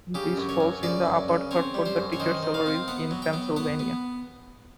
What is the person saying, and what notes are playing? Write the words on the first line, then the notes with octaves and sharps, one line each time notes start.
This falls in the upper third for teacher salaries in Pennsylvania.
C#3 G4
F#2
C#5
F#2
C#3 D5
F#2
C#3
C4 C#5
G3
C5
F#2
C#5
D#3 C5
D#3
F5
C4
B3 F#5
F#3
G5
B3
B3 F#5
B3